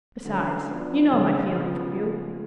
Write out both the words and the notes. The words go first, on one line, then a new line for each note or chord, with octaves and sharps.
Besides, you know my feeling for you.
D3 F#3 C#4
F3 B3 D4
C#3 G#3 C#4
C#3 F3 B3